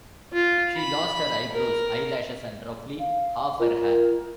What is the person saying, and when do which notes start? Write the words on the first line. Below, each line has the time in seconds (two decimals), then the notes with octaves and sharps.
She lost her eyebrows, eyelashes and roughly half her hair.
0.32 F4
0.77 B5
1.53 A#4
3.00 F5
3.60 F4 A#4